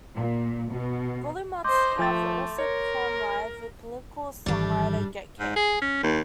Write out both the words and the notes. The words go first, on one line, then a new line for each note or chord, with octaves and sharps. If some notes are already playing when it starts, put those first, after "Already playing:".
Guillemots have also performed live with political songwriter Get Cape.
A#2
B2
C5 D#5 C6 D6 G6
F3 A3 A6
A#4 C#5
G#1 G#2 D#3 E3 G3 D4
G#2
G#4
C#4
D#2